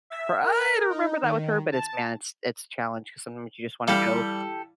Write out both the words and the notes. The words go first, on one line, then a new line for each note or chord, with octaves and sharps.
try to remember that with her, but it's man it's it's a challenge 'cause sometimes you just wanna go.
E5
A#4
D#4
D#3
A5
E3 G3 E4 G4 A4 F5